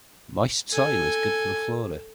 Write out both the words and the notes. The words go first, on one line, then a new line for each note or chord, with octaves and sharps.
Moist soil is good for the flora.
A4 G#5